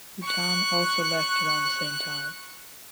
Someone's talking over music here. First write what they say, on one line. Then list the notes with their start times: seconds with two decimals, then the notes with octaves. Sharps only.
Rutan also left around the same time.
0.22 C#6 F#6